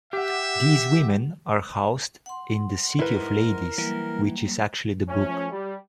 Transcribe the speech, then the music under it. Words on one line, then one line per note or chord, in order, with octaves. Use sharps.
These women are "housed" in the City of Ladies, which is actually the book.
G4 E5 F#5
F#5 C6
G#2 E4 A#4 B4
E3 F#3 G3 A#3
F3 A3 C#4
G3